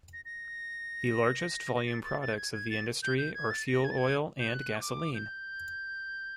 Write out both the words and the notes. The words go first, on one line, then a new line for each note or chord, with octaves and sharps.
The largest volume products of the industry are fuel oil and gasoline.
A#6
A#6
A#6
A6
A6
A6
G6
G#6
G#6
A6
G6
G6
G#6
A6
A#6
G#6
A6
G#6
G6
F#6
C#6
D6
G6